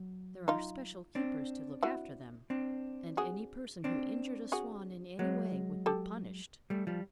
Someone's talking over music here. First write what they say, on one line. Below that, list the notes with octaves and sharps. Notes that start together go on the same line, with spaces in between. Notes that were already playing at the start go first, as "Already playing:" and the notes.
There are special keepers to look after them, and any person who injured a swan in any way would be punished.
Already playing: F#3
D#4 F4
C4 D4
E4 F#4
C4 D4
F#4 G#4
C4 D4
F#4 G#4
F#3 G#3
G4 A4
G3 A3
F3 G3